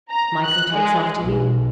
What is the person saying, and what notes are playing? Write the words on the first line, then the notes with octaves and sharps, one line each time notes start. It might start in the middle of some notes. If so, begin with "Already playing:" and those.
'Michael takes after you.'
A#5
F#6
G#3
B1